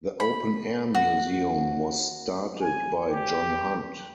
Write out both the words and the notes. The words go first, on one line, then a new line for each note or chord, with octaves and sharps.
The open-air museum was started by John Hunt.
B5
F#4
G#5
G4